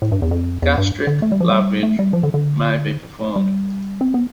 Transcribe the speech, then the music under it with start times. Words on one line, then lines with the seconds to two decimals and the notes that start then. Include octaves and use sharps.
Gastric lavage may be performed.
0.02 A2
0.12 G2
0.22 E2
0.31 F2
0.62 E2
0.78 G2
1.07 D3
1.22 A3
1.32 G3
1.40 F3
1.50 G3
1.83 A3
1.99 G3
2.13 F3
2.23 D3
2.34 D3
3.36 G3
4.01 C4
4.14 B3